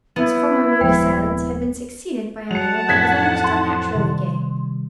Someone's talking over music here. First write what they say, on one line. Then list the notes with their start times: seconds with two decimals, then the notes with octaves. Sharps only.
His former moody silence had been succeeded by a manner that was almost unnaturally gay.
0.16 B3 E4
0.81 D#1 F3 G#3 C5 G5
2.51 F#3 F#5 A5 C#7 F7
2.88 F2 A2 C4 F#6 G#6 B6
3.44 C6
3.95 C3 D#3 G3